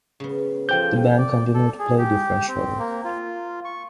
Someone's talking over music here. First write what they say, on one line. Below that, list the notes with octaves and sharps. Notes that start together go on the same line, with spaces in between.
The band continue to play different shows.
C#3 B3
F3 F4 G4 A4 C5 G5 G6
D5
A4
G#4
G4
C4
A#3
F4
C#6